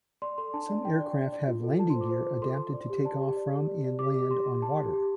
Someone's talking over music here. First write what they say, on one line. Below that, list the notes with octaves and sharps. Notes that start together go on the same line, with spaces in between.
Some aircraft have landing gear adapted to take off from and land on water.
D5 C6
A4 C6
D4 A5
D5
D4 G5
D5
D5
D5
F4
A4
F4 A5
C6
C5
D6
C5
C5
A4 C6
C5
D5
G4
D5 A5
G4
D5
G4
D5
D5
G4 D6
G4
G4 C6
G4
G4 A5
G4
G4